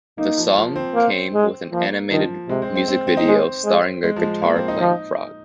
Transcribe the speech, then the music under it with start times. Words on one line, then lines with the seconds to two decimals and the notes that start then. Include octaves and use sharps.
The song came with an animated music video starring a guitar playing frog.
0.18 A#3 D#4
0.37 F3
0.57 F3
0.76 C4
0.95 A#3
1.34 G#3
1.72 F3 A#3
2.11 D#3 F3
2.49 C3 G#3
2.62 C4
2.75 C4
2.88 C4
3.07 C4
3.17 D#4
3.26 G#3 C4
3.65 G#3
4.04 G#3
4.16 F3
4.23 G#3
4.42 A#3
4.56 C4
4.68 D#4
4.80 F3 D#4